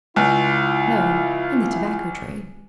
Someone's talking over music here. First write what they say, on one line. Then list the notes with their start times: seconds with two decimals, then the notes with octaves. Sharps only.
'No, in the tobacco trade.'
0.16 C#2 E4 F4